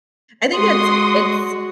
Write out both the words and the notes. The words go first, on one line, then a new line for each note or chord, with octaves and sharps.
I think it's and s
G#3 F#4 C6 D#6